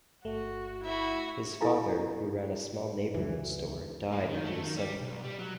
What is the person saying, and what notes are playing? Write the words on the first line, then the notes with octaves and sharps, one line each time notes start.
His father, who ran a small neighborhood store, died when he was seven.
G1 A3 F#4
E4 F#4 E5
E4 A4 F5 G#5 A#5
C#2 F#2 D3 E3
A2
D#3
A3
D#3
G3
B1
G3
F#3